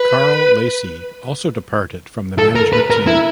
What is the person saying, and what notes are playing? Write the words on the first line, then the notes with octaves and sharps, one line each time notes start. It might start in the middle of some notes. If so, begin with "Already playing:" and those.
Karl Lacey also departed from the management team.
Already playing: B4
A4
A#4
B4
A#4
E4